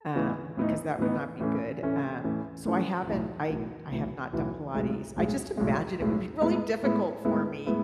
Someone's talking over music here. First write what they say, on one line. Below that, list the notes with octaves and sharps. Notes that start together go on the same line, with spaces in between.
um, because that would not be good, um, so, I haven't I I have not done Pilates I just imagine it would be really difficult for me.
A2 E3 B3 D#4
A2 E3 B3 D#4
A2 E3 B3 D#4
A2 E3 A3 C#4
A2 E3 A3 C#4
A2 E3 A3 C#4
A2 E3 A3 C#4
B1 A2 E3
B1 A2 E3
B1 A2 E3
B1 A2 E3
B1 A2 G#3
B1 A2 G#3
B1 A2 G#3
B1 A2 G#3
A2 G#3 B3 E4
A2 G#3 B3 E4
A2 G#3 B3 E4
A2 G#3 B3 E4